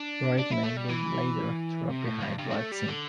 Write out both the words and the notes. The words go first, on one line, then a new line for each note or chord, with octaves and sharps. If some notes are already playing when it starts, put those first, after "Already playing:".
Reutemann would later drop behind Watson.
Already playing: D4
D4
E4
A3
G3
E3
C3
A2
G2
G2
C4
A3
G3
D3